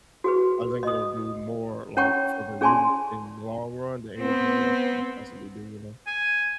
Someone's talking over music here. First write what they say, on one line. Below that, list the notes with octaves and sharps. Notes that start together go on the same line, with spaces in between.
I think it'll do more, like, for the youth in the long run than anything else we could possibly do, you know?
F#4 G#4 B4
D#5 D#6
C#4 C#5 F#5 G5 A#5 C#6
C#4 G#4 D5 G#5 A5 C6
B3 C4
G#5